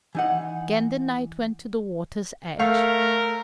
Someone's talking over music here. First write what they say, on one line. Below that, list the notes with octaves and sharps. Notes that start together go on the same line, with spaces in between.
Again the knight went to the water's edge.
E3 D#4 F#5
A3 A#4 C#5 F5 G6